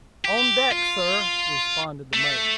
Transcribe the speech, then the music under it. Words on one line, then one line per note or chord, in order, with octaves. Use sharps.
"On deck, sir," responded the mate.
G4
F4
A3